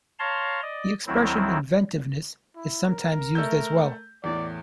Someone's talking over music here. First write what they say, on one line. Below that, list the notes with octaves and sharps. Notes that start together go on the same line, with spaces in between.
The expression "inventiveness" is sometimes used as well.
C#5 F5 A5 A#5 C6
D5 D#5
D2 D#3 F#3 C4 E4
E4
A#4
A3 E6 G6
E2 A2 D5